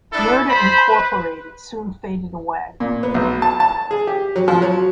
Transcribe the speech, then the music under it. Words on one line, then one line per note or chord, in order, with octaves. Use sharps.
Murder, Incorporated soon faded away.
B3 D4 E4 A4
C5 B5
B4
A#2
B3
B1
A5
A5
G#4
G4
F#3
F3
F#3